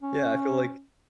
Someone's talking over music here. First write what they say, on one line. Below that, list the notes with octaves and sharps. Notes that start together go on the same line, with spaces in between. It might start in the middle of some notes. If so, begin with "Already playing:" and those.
Yeah, I feel, like,
C#4